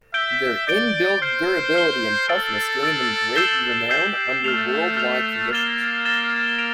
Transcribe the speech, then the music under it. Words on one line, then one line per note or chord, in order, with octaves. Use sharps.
Their inbuilt durability and toughness gained them great renown under worldwide conditions.
E5 G6 D7 G7
D5 G6 D7 G7
C5 F6 C7 G7
F6 C7 G7
A4 E6 A6 D7
E6 A6 D7
E6 G6 C7 E7 G7
G4 E6 G6 C7 E7 G7
A3 F6 C7 F7
F6 C7 F7
A#3 F6 A6 E7 G7
F6 A6 E7 G7
D7 F7